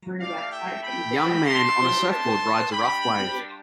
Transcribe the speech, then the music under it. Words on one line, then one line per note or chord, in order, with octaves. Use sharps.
Young man on a surfboard rides a rough wave.
A3 E4 G4 D5 F5
E5 G5
G5 B5
A3 D4 G4 A5 C6
A5 C6
G3 D4 G4 G5 B5